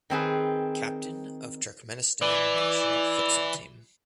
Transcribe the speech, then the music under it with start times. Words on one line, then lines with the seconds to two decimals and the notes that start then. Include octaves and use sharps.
Captain of Turkmenistan national futsal team.
0.10 D#3 C4 G#4 B4
2.22 E3 D5